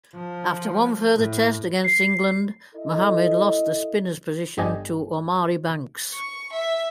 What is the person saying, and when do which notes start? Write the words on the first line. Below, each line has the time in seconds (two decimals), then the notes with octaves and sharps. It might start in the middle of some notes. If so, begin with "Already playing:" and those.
After one further Test against England Mohammad lost the spinner's position to Omari Banks.
0.15 F3
1.14 A2
1.84 C7
2.75 E4 A4 D#5
4.58 G1 D3 G4 D#5 G#5
6.13 C#6
6.53 E5